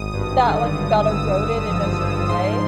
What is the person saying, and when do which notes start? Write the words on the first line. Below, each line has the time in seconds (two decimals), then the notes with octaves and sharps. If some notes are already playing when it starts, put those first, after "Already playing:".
that, like, got eroded in a certain way.
Already playing: G#1 D#6
0.14 G2
0.45 D3
0.76 D3
1.06 D3 E6
1.37 G#1
1.68 F3
1.99 F3
2.29 G#2 C6
2.45 C6